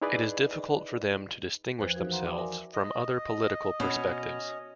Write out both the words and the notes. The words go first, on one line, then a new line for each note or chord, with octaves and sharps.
It is difficult for them to distinguish themselves from other political perspectives.
D#4 E4 G#4 B4 D5 D#5
E2 F3 B4 C5 F#6
E3 F3 D#4 F#4 A#4 G#6
C5 F5 F#5 A#5 C6
D5 E5 G5 C6 D6 D#6
A#4 E5 G#5
D#5
B2 C#4